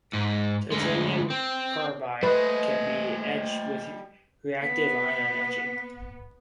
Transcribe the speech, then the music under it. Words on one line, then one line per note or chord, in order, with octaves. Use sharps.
Titanium carbide can be etched with reactive-ion etching.
G#2
D2 G#3
C4
G3 A3 B4 C5 D#5
B3 B6